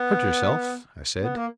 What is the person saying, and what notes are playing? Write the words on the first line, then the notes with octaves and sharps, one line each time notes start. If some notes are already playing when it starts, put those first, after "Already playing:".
"Hurt yourself?" I said.
Already playing: B3
B3
A#3